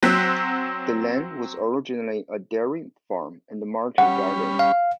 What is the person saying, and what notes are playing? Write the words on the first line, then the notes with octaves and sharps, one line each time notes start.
The land was originally a dairy farm and market garden.
F#3 C4 F#6 B6
G3 C#4 F#5 B5
F5